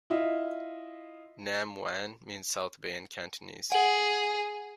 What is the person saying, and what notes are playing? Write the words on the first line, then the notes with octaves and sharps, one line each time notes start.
"Nam Wan" means South Bay in Cantonese.
E4 F4 D#5 E5
G#4 F#5 F#7